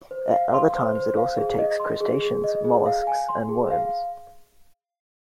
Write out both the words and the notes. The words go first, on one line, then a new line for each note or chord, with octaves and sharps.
At other times it also takes crustaceans, molluscs and worms.
C5
F5
C6
C5
C5
F5
G#4
D#5
C6
G#4
G#4
D#5
G#4
F5
G#5
C6
G#4
F5